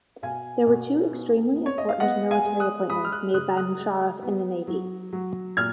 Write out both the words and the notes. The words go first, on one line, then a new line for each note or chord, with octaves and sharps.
There were two extremely important military appointments made by Musharraf in the Navy.
B2 F5 G#5
B2
B3
B3
C#5
D#5
F5
B3 D#5 F#5
F5 G#5
G#3
D#6 F#6
G#3 B5 D#6
F6
D#6 F#6
C#3 D#6 F#6
D#6 F#6
G#3
B3
F#3
F#3
A#2 F6 G#6